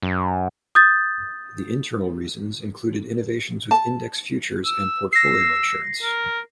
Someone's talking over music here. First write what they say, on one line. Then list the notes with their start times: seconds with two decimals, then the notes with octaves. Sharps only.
The internal reasons included innovations with index futures and portfolio insurance.
0.03 F#2
0.75 D#6 G6 A6
3.71 A5
4.65 E6
5.13 E6 A#6 C7
6.03 A#4